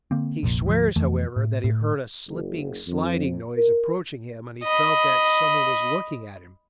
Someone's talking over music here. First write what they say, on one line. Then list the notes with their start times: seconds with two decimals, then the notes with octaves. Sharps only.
He swears, however, that he heard a slipping, sliding noise approaching him, and he felt that some one was looking at him.
0.11 D3 A#3 C4
0.43 F1 A#1 A#2
0.66 D2 G#2 F3
0.96 F2 E3 A3
1.36 A2
1.64 A2
2.28 F#1
2.87 F2
3.57 A#4
4.64 D#5 B5